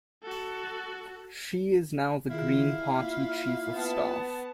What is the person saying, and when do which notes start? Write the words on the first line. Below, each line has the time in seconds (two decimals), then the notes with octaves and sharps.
She is now the Green Party Chief of Staff.
0.23 F#4 A4
2.30 D#3 E4 F4 G#4 F5
2.99 A#3 F4
3.73 B3 A5